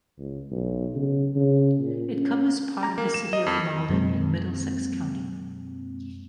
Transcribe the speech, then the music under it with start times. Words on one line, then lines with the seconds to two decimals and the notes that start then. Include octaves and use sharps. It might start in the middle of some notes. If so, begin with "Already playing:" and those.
It covers part of the city of Malden in Middlesex County.
0.19 C#2
0.52 B1
0.96 C#3
1.36 C#3
1.80 A#2
2.17 C#4
2.83 A#5
2.98 A#3
3.14 E7
3.33 D#5
3.46 F2
3.89 F#2 B2 F#3 G#3 A#3 C4